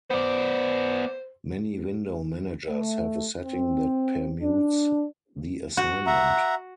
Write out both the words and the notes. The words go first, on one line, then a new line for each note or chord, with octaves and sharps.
Many window managers have a setting that permutes the assignment.
B3 C5 D5
A3
C4
D4
F#4
E5 F#5 A#5